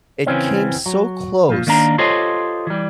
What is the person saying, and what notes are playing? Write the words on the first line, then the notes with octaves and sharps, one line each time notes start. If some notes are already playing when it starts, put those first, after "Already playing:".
It came so close
C#3 E3 C4 C#4
F#3
A#2 F3
D#3 A#3 D4 A#5
F4 G4 A4 C5 C#5 D#5
E3 G3